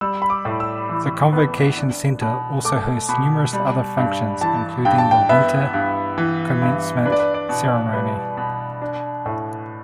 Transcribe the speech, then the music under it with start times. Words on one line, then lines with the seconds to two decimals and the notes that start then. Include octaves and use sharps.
The Convocation Center also hosts numerous other functions including the winter commencement ceremony.
0.01 G3 E6
0.22 B5
0.30 D6
0.45 A2
0.60 E6
0.89 E3
1.33 B3
1.77 D4
2.21 B2
2.65 A3 D6
3.09 B2 B5
3.53 G3
3.97 G2
4.41 E3 A5
4.85 G2 G5
4.98 A5
5.11 G5
5.29 B3 E5
5.74 G2
6.18 E3
6.62 G2
7.05 D4 B4
7.12 D5
7.20 B4
7.34 D5
7.49 B2
7.64 D5
7.93 G3 B4
8.37 B2
8.82 D4
9.26 A2